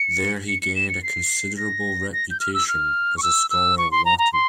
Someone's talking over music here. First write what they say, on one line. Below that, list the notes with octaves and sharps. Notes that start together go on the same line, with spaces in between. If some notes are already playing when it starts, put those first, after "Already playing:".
There he gained a considerable reputation as a scholar of Latin.
Already playing: C#7
C#7
C#7
E7
C#7
C7
A#6
A#6
G6
F6
E6
F6
C#6
E6
E6
C#6
C6
A#5
A#5
C6